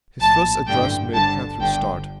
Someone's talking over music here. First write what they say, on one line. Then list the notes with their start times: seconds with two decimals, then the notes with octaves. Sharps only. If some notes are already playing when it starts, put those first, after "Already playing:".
His first address made Catherine start.
0.20 A#1 A2 A5
0.67 A1 G2 D3 G5
1.13 G1 G2 D3 A5
1.60 G1 G2 D3 G5